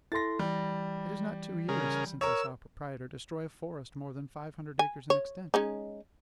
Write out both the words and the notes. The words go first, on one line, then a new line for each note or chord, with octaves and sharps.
It is not two years since I saw a proprietor destroy a forest more than five hundred acres in extent.
E4 A4 C6 A6 A#6
E3 G3
C#3 G#4 A#4
A#4 C#5 E6
G#5
C#5
G#3 C#4 D#4